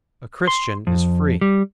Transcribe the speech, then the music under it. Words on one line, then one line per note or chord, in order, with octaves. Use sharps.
A Christian is free.
C6
F2
G3